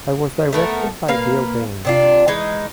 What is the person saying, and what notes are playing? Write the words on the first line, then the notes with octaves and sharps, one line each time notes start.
It was directed by Bill Bain.
A3 B3 A#4
A#3 B4 F5
C3 D4 F4
E3 G#3 D#4